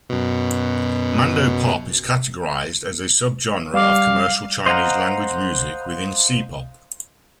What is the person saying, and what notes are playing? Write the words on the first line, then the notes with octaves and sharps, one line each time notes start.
Mandopop is categorized as a subgenre of commercial Chinese-language music within C-pop.
F#2 B2
G3 F5 D6
C5 D#5 F5 F#5 A#5